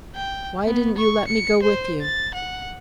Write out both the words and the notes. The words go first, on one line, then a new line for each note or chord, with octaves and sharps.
"Why didn't you let me go with you?"
G5
B3
C#6
C#7
C5
A6
F#5